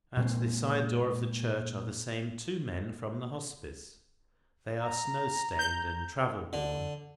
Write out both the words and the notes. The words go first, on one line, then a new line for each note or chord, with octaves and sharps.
At the side door of the church, are the same two men from the Hospice. They are snow-stained and travel-worn.
A#2 G#3 C4
A#5
G6
D3